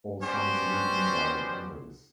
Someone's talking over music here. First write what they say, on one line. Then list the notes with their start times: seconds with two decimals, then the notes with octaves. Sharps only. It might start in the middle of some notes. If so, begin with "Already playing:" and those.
All songs written by Vangelis.
0.23 B3 C#4 F#4 G4 C5 D5